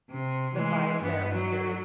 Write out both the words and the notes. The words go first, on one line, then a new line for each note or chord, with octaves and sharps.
The vibe there was very
C3
E3 G#3
G2 B3
F#3